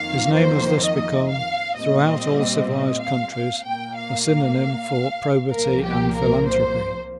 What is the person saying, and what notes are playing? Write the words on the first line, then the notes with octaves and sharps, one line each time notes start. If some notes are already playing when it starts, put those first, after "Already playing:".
His name has thus become, throughout all civilised countries, a synonyme for probity and philanthropy.
Already playing: F2 D#3 A#3 F5
C5
D#5
F5
A#2 G3 C4 D#5
D#5
F5
F5
A#2 A#3 G5
F5
F5
C2 A#2 F3 A#3 A#4
G4
A#4
C5